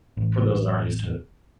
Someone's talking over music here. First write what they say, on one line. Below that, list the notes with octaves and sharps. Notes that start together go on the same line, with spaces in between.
for those that aren't used to it.
A1